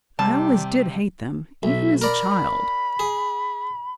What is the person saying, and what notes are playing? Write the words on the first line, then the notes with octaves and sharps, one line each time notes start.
I always did hate them, even as a child.
C3 G3 G4 A5
B1 E5
A#4 D5 B5
G#4